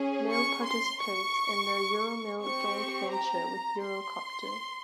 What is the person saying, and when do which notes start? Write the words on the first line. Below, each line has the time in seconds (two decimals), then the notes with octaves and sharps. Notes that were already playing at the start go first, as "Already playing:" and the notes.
Mil participates in the Euromil joint venture with Eurocopter.
Already playing: C#4 G#4
0.30 C#6
0.66 C6
1.01 C#6
2.42 C4 G4 C#6
3.12 A#5
3.83 C6